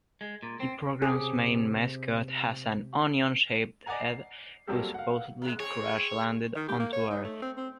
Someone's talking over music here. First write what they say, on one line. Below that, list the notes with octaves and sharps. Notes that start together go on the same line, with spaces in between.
The programme's main mascot has an Onion-shaped head, who supposedly crash-landed onto Earth.
G#3
A#2
C4
C3 G4 G#4
D5 D#5 F#5 G#5 A#5
C7
F#3 G3 A#3 C4 G4 A4
F5 F#5
B2 G#3
C4 G#4 C#5
D#3
G4
A#3
C#5
D#4
A3
C4
C4